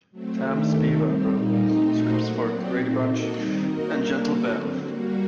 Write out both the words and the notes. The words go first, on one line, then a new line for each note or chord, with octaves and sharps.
Tam Spiva wrote scripts for "The Brady Bunch" and "Gentle Ben".
F#3 A3 C4
D#3 A3 D4 G4
C3 D#3 A3
G3 C4 G4
A#2 G3 A#3 D#4
A3 C4 D#4 G4
A#2 A3 D#4 F#4 C5
F#3 A#3 F#4
F#3 C4 G4 D5
A#2 A3 C4 D#4
A#3 F#4 A4 D#5
D#3 G3 C4 D#4
A#3 F#4 A#4 D#5
G3 A#3 D4
A#3 F#4 A4 D5
D3 F#3 C4
G3 A#3 F#4